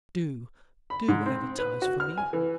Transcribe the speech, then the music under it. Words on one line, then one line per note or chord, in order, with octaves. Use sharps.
Do, do advertise for me.
B5
G#2
C4
B4
F#4
F6
G#5
E3